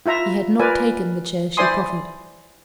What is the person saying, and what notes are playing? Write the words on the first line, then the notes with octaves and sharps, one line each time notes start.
He had not taken the chair she preferred.
E4 F4 E5 A#5
F4 A#4 B4 D5 G#5
E4 C5 D5 G#5 C6 D#6